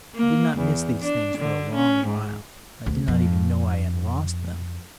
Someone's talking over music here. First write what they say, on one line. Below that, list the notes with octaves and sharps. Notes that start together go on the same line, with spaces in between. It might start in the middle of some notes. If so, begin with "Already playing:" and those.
I did not miss these things for a long while; I did not even know I had lost them.
A#3
E2
D4
D3
C#4
G#2
D2
F2